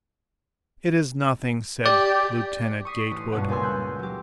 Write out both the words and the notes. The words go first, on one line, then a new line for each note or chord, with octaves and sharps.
"It is nothing," said Lieutenant Gatewood.
G4 D5
C#6 D#6 B6 C7
A1
G2 B2 C#4 F#5
C#2 A#2 B3 G#5 C6 E6
F#6 G6
F#3 G4